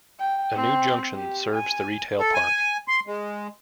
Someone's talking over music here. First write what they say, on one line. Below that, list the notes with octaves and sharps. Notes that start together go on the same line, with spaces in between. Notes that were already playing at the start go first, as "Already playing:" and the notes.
A new junction serves the retail park.
G5
C4
G4
G#5
A4
G#5
C6
G#3